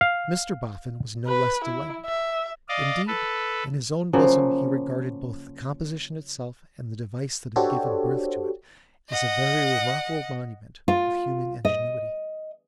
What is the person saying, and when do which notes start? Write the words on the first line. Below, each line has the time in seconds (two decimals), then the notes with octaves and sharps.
Mr Boffin was no less delighted; indeed, in his own bosom, he regarded both the composition itself and the device that had given birth to it, as a very remarkable monument of human ingenuity.
0.01 F5
1.28 B4
1.64 E4
2.06 E5
2.69 D5 D#5 F5
3.07 A4 B4
4.13 C#3 F3 F#3 A#3
7.56 D4 F#4 G4 A4 C5 C#5
9.10 D#5 F#5
10.88 F4
11.65 D#5